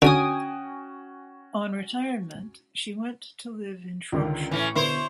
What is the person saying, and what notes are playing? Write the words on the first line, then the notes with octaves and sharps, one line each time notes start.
On retirement she went to live in Shropshire.
D3 C#4 F#4 G5 G#5 D#6
C#2 D3 D#3
A2 E3 A3 C#4
B2 D3 B3 E4 C5 C#5